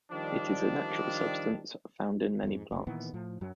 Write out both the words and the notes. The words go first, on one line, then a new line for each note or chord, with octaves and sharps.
It is a natural substance found in many plants.
D#3 F3 G3 D4
F2 G#2
F#1 C3
A#2 D#3 E3 B3
A2 F3
F#2 F#3